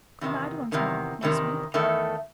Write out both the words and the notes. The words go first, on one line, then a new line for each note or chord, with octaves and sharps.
Good-night once more, my sweet.'
E2 C3 D#3
E2 C3 D#3
E2 C3 D#3
E2 D#3 A3